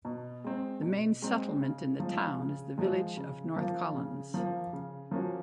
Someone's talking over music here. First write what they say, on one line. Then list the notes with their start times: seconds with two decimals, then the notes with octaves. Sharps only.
The main settlement in the town is the village of North Collins.
0.05 B2
0.44 G#3 C4
0.82 B2
1.22 G#3 C4
1.61 C#3
2.00 F3 G#3
2.39 C#3
2.78 F3 G#3
3.17 C#3
3.56 F3 A#3
3.95 C#3
4.34 F3 A#3
4.73 C#3
5.11 F3 A#3 C#4 F#4